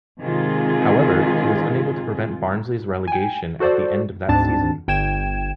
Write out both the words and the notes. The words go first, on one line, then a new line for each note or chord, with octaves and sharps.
However, he was unable to prevent Barnsley's relegation at the end of that season.
G#2 C3 D#3 F4 G#4
G5 G#5
F#4 A4 C5 D5
D2 G#2 C4 D4 A5 A6
G1 G5 G#6 E7